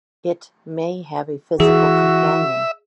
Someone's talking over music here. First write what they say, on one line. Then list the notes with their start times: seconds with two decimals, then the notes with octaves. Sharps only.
It may have a physical companion.
1.60 E3 F#4 G#4 E5